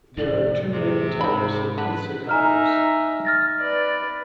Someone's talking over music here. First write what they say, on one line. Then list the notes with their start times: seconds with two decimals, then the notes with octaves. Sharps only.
There are two main types of pizza cutters.
0.17 F1 A2 D5
0.73 C3 G#4
1.21 G#2 D#3 B5
1.78 D3 B4
2.29 D#4 E5 G#5 A#5 F6
3.25 F6 A6 A#6
3.60 B4 D5